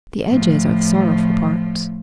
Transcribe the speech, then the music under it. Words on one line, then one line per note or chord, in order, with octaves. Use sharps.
'The edges are the sorrowful parts.'
A2 F3